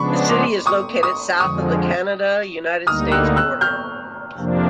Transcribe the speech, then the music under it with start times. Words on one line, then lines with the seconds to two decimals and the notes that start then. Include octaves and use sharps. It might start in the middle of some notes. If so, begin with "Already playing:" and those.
The city is located south of the Canada-United States border.
Already playing: C#3 F3 G#3 B3 D4 B5 C#6
0.29 C6 D6
0.66 C#6 D#6
1.03 C#6 D#6
1.40 F2 D3 F3 G#3 C#6 D#6
2.87 D2 D3 G3 A#3 D#4 D#6 F6
3.12 E6 F#6
3.36 E6 F#6
3.61 F6 G6
4.35 F2 C3 F3 A#3 D4